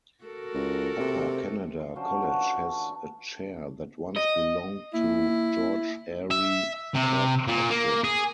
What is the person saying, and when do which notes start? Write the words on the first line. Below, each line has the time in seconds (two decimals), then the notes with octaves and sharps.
Upper Canada College has a chair that once belonged to George Airey Kirkpatrick.
0.24 F#4 A4 A#4
0.54 C#2
1.00 C3
1.80 F5 C6
1.96 F#3 C#4 D4 C5
2.22 C#4 F4 F#4 A4
2.34 E3
2.65 D3
4.16 D#5
4.94 A#3 E4
6.31 E5
6.95 C3
7.48 A#2
7.70 A#3
8.04 G#4